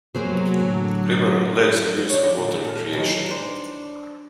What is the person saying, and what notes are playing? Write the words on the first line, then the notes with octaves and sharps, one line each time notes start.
River and lakes are used for water recreation.
C3 F#3 A#3 B3 G#4 C5
A2 D3
D4 C#5
A#2 D3
A4 F5
D#3 E3 F#3
D4 C5